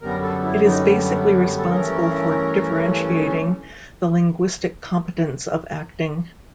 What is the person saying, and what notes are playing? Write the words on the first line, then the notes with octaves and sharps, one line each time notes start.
It is basically responsible for differentiating the linguistic competence of acting.
F#2 D3 G3 B3 A#4
A4
E4
D#4
A4
G2 E3 A3 C#4 A#4